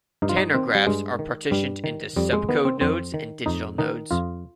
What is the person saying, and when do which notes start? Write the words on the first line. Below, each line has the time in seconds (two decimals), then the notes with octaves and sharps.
Tanner graphs are partitioned into subcode nodes and digit nodes.
0.22 G2 D#4
0.29 F4
0.37 D#4
0.54 D#3 C4
0.75 G3
0.87 G2 G#3
1.19 D#3
1.51 G2 G3
1.84 D#3
2.16 F2 G3
2.33 G#3
2.49 D#3 B3
2.65 C4
2.81 F2 C4
3.14 D#3
3.46 F2 D#4
3.78 D#3 D#4
4.11 F2 F4